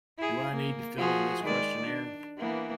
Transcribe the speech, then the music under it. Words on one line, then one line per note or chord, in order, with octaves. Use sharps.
Do I need to fill in this questionnaire?
E4 G#4
A#3
F3 F#4 G#4
D#3 G#3 D5
D4
E3 A#3 B3